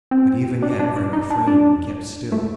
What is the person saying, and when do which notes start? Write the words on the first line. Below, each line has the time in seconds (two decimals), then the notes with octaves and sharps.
But even yet I refrained and kept still.
0.11 C4
0.62 D4
0.79 D4
0.96 D4
1.13 D#4
1.30 D4
1.47 D4
2.32 A3